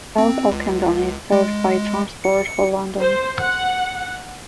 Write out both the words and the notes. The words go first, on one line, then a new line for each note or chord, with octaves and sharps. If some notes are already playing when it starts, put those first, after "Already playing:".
South Ockendon is served by Transport for London.
C4
C#2
G#3
C#7
C5
F#5